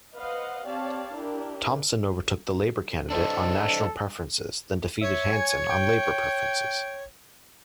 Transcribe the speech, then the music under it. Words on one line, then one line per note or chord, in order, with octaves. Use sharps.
Thompson overtook the Labor candidate on National preferences, then defeated Hanson on Labor preferences.
B4 C5 D#5 F5 F#5
C4 G4 C#5 D5 F5 A5
D4 E4 G4 A#4
D4 A4 C5 D#5
C#5 E5
G#5
G5